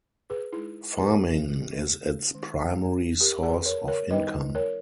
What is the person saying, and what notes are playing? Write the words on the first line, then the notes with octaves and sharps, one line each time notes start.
Farming is its primary source of income.
G#4 B4
G#3 D#4 E4 G#4
G4 A#4
D#3 G#3 C#4
G4 A#4
G#4 B4
A#4 C#5
A#4 C#5
D#3 G3 B3 D#4 B4 D#5
A#4 C#5